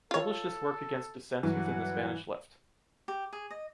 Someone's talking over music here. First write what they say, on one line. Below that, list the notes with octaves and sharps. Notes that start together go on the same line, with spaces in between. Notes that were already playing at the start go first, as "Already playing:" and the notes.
Publish this work against dissents within the Spanish left.
F4 A4 C#5
G2 D3 E3 F#3 F#5
G4
G#4
D#5